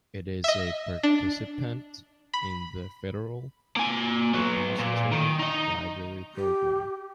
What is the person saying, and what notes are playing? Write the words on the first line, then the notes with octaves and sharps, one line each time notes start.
It is a participant in the Federal Depository Library Program.
D#5 E5
D4
B5
A#3 G#5
F#3 B3
A#2
D#3
D#4 D#5
G4